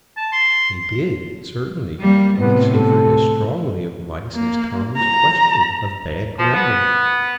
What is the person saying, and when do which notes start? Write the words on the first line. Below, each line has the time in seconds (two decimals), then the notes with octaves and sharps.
They did, certainly; they savored as strongly of mice as Tom's question of bad grammar.
0.17 A5
0.32 C6
2.00 G3 A#3
2.39 A2 C3 B3
2.74 A4
4.35 A#3
4.97 A#5
6.38 F3
6.54 B3